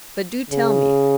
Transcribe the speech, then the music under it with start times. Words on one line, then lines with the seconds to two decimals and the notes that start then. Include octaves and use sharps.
But do tell me.
0.50 C#3